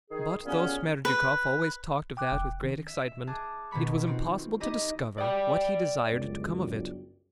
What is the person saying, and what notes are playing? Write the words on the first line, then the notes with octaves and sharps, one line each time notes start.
But though Smerdyakov always talked of that with great excitement, it was impossible to discover what he desired to come of it.
D#3 G#4
A#2 C#3 G3 B3 C#4
B4
G5 D6 F#6
F1
D#3 C#4
E5
G#4 A5 D6 F#6
B2 D#3 B3 B5 C#6
C4 F4 F#4
D#4 E4 G4 D#5
D5 G5
G1 C#2 F#2